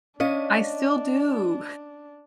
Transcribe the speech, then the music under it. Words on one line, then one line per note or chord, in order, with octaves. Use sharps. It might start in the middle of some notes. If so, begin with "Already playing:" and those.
I still do.
C#4 D4 C#5 D#5 F5 D#7